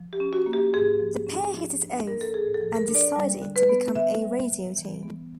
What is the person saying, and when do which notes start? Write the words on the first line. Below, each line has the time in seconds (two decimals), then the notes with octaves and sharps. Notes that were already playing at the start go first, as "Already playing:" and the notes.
The pair hit it off, and decided to become a radio team.
Already playing: F3
0.13 G4
0.20 C#4
0.33 F#4
0.46 A#3
0.53 G4
0.73 G#2 G#4
1.00 F3
1.27 C#4
1.54 F3
1.81 D4
2.07 A#3 A#4
2.21 A4
2.34 A2 G#4
2.54 A4
2.61 F3
2.75 A#4
2.89 D4
2.95 D5
3.16 G3
3.42 D3
3.56 B4
3.69 B3
3.95 D3 E5
4.22 G3
4.49 D3
4.77 E3
5.03 B3